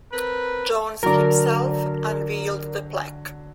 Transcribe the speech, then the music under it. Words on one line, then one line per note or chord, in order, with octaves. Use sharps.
Jones himself unveiled the plaque.
C4 A#4 B4
D3 F#3 A#4 D5